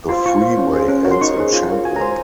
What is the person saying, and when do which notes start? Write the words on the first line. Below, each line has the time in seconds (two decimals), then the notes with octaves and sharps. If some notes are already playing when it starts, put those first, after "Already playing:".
The freeway ends in Champlin.
0.09 F4 C5 C6
0.26 F4 C#6
0.42 C5
0.58 C#4
0.73 G#4 C5
0.89 C#4
1.05 F#4 A#4 C#5
1.11 C6
1.21 D#4 C#6
1.37 G#4 C5
1.53 F4
1.68 A#4 C#5
1.84 F#4 G#5
1.96 A#5
2.01 C5 G#5